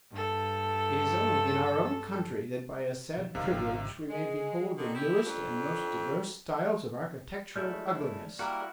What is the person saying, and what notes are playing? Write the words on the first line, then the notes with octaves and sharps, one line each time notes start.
It is only in our own country that by a sad privilege we may behold the newest and most diverse styles of architectural ugliness.
G2 A4
B2 D#3
F#1 C3 D#3 G3 F5
G#1 D4
G#3
D3 D#3
E4 G4
F2 D4
G#3 A3 E4 D5 F6 G6
G3 A#3 E4 F#4 A#4